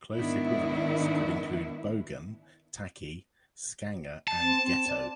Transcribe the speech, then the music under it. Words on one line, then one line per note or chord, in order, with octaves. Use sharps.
Close equivalents could include bogan, tacky, scanger and ghetto.
G#2 D#3 B3 D4 E4
A5
C4
C4
D5